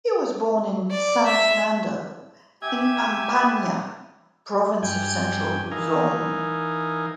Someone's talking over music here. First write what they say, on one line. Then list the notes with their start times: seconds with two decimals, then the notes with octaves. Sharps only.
He was born in San Fernando, in Pampanga province of central Luzon.
0.90 D5
1.26 E5
2.62 G4 E5 G#5 G#6
4.83 G2 G5 G#5
5.71 E3 D#4 A#4 F5 G#5